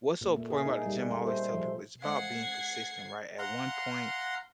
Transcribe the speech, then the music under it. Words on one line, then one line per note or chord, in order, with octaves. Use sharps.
what's so important about the gym, I always tell people, it's about being consistent, right? At one point,
A#2
A3
G#4
D#4
G3
A3
C5
F3
G#3 C5 F5 F#5 G#6 C7
F5 F#5 A#5 C6